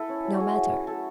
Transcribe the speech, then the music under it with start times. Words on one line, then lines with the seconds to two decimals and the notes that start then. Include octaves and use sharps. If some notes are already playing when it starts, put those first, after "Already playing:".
"No matter."
Already playing: E4 A4 B4
0.09 C#4
0.24 F#3
0.34 F#4
0.40 E4 G#4
0.56 F#3
0.71 C#4
0.87 A3 A4